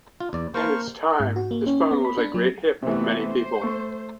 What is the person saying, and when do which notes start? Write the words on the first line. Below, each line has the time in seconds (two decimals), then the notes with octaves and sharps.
In its time, this phone was a great hit with many people.
0.20 F4
0.33 E2 D5
0.54 A#3 A#4 C5 F5 A5 C#6
1.20 G#2
1.36 F#4
1.51 A#3
1.66 C#4
1.91 B3
2.05 B5
2.18 D4
2.34 F#3
2.82 C3 E3 A3 B3
3.28 C5
3.62 A3 C#6